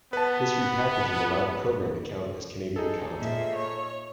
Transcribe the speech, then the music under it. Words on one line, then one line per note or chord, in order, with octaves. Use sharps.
This repackaging allowed the program to count as Canadian content.
B3 B4 A5
D#4 G#4 A4
A#2 E5
C#5